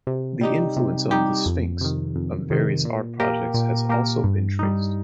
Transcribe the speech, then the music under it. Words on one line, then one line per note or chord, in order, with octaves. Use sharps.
The influence on "The Sphinx" of various art objects has also been traced.
C3
G3 D#4 G4
C3
G3 D#4 G4
F2
C3 D#3
F2
C3 D#3
A#2
A#3 G4 A#4
A#2
A#3 G4 A#4
G2
G3 D#4